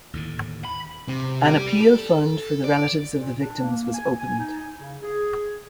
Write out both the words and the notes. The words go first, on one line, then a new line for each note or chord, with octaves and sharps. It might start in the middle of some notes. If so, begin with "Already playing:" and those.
An appeal fund for the relatives of the victims was opened.
D#2 A2 D3
B5
C3
G4 D5
A4
D5
A#2
D4
A#3
G#5
G#5
D#4
C#3
G#4